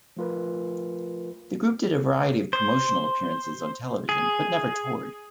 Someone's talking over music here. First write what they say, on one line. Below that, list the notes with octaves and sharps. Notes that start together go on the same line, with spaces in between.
The group did a variety of promotional appearances on television, but never toured.
F3 A3 F4 A#4 B4
C5
G#4